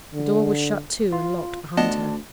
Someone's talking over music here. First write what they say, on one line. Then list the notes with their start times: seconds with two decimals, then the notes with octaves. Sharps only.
The door was shut to and locked behind her.
0.14 D3
1.12 F4
1.77 D2 B3 D4 D#5 A5